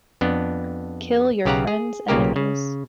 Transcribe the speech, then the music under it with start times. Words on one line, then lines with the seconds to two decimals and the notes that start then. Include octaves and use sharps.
Kill your friends' enemies.
0.21 F2 B3 D4
1.45 B1 C#3 G4 F5 F#5 A#5
1.67 G#4
2.08 B1 A#2 C#3 A#3 G4 A#4
2.36 C#3